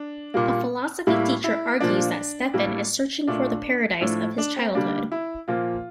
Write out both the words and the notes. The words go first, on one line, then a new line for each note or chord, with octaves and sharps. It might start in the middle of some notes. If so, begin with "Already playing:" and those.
A philosophy teacher argues that Stefan is searching for the paradise of his childhood.
Already playing: D4
A#2 G3 A#3
A2 G3 A#3 E4
E4
A#2 F3 A#3 D4
A2 G3 A#3
A#2 A3 D4
A2 F3 A3 D4
D4
C4
D3 G3 A#3 D4
E4
A#2 F3 A#3 F4